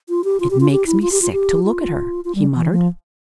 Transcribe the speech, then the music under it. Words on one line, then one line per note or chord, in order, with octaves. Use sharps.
"It makes me sick to look at her!" he muttered.
F4
G4
F4
G4
F4
G4
E4
F4
G4
F4
G4
F4
F4
G3
E3
F3